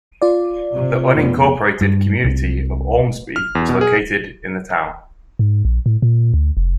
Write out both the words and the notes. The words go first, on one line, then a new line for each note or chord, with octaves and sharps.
The unincorporated community of Ormsby is located in the town.
F4 D5
C3
F1 B3
G2
C2
F6
E2
B2
G#4
G#2
A#1
A2
A#2
D2
F1